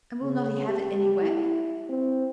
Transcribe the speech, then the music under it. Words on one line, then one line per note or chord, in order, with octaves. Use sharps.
"And will not he have it any way?"
C#3
G4
E4
C4